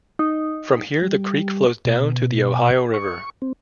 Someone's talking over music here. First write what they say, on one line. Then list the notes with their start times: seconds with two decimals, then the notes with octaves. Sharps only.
From here the creek flows down to the Ohio River.
0.19 D#4
1.02 G3
1.85 B2
2.94 C#6
3.42 C4